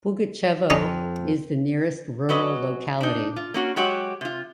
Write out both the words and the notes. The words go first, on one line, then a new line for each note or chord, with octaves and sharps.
Pugachevo is the nearest rural locality.
F2 C#4 D#4 D#5
F#3 C#4 B4 D#5
D4 D#4
F4
A#3 C#4 F#4
F#3 G#3 F#4 G4 C#5 F#5
C3 F4